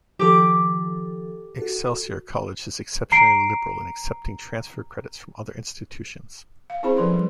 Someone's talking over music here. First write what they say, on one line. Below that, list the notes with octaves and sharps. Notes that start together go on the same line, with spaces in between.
Excelsior College is exceptionally liberal in accepting transfer credit from other institutions.
D#3 F3 G4 A4 D6
F#4 A4
A#5 C7 D7
F5
C4 C#4 E4 G#4 C5 B5
F3 A4 B4 C6
G3